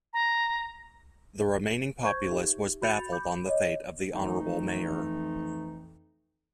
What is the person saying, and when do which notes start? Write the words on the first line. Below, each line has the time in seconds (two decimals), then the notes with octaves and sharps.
The remaining populace were baffled on the fate of the honorable mayor.
0.13 A#5
2.03 C5 C#6 G6 G#6
2.31 D#4 G4 E5
2.82 F#4 B5 G6 A6 C#7 F7
3.12 B5 D6 G6
3.47 C#5 D#5
4.13 F2 E3 F3 A3 D#4